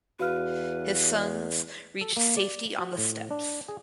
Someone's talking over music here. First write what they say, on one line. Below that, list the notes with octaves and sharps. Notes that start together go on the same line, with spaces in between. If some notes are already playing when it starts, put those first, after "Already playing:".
His sons reached safety on the steppes.
E2 F#4 B4 F5 F6
A4
A#3
D5
F#4
A2
D4
G#4